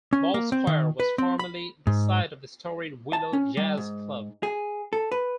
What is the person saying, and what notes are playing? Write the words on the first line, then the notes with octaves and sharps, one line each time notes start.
Ball Square was formerly the site of the storied Willow Jazz Club.
C#4
A#3
C4
D#3
B4
C4
B5
G#2
A5
C#4
G3
G#2
G#4
A4
B4